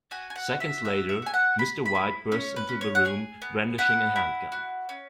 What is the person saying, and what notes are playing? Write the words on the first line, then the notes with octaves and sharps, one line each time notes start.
Seconds later, Mr. White bursts into the room brandishing a handgun.
F#4 G#5
G#5
F#5
F#4
E5
F#4 E5
E5
F#4 G#5
F#5
G#4 B5
B5
E4
C#4 C#5
B4
C#4
C#5
F#5
G#4 G#5
B3
E4 F#5
E4
F#4
C#4